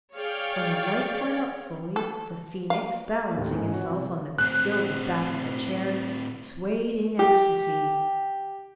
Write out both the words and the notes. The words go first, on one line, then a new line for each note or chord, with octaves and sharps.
When the lights went up fully, the Phoenix, balancing itself on the gilded back of a chair, swayed in ecstasy.
G#4 C#5 D5 F5 G5
A4
F5
A1 D#2 A2
A1 G#2 E3
F#4 C#5
C3
A2 C4 F#6
G4